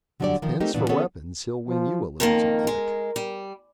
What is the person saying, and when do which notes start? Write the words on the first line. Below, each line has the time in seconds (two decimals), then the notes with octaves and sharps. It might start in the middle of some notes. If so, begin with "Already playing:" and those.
"With pens for weapons he will wing you a little too quick."
0.20 D3 F#3 G3 D4 G4 D5
0.42 D#3 F3
0.60 A3 A#3 C4 D#4 G4
0.74 G2 A#2 C#3 E3 B3 D4
0.89 D#3 B3 C#4 G#4 A4 C#5
1.68 F3
2.20 F2 D#3 A#3 A#4
2.67 G#3
3.16 G3